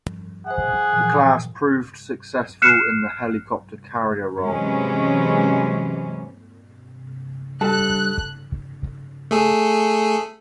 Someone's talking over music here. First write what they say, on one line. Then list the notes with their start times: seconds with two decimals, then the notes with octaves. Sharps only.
The class proved successful in the helicopter carrier role.
0.47 G#4 C5 E5 F#5
0.93 A#2 E3 F3
2.62 F6 F#6 C7 C#7 E7
4.42 C3 E3 F#3 G#3 C#4
7.61 G2 A4 F#6
9.31 A3 G#4 A4